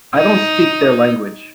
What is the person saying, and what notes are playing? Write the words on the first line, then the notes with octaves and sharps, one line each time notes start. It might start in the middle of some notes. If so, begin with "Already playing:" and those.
I don't speak their language.
D#4